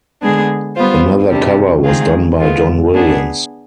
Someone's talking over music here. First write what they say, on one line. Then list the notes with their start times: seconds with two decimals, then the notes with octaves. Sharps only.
Another cover was done by Don Williams.
0.23 D3 G#3 B3 D4 G#4
0.76 G3 B3 F4 C5
1.30 C3 G3 D4
1.84 D#3 G#3 C4 F4 G#4
2.39 D3 G#3 B3 F4
2.94 B3 D4 G#4